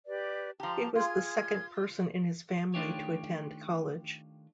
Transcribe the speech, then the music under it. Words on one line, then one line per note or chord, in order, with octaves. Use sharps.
He was the second person in his family to attend college.
G4 B4 D5
F3 G4 A5 A#5
F4 G#4 F6 G#6
D#3 A3 D4 F4 G4 C#5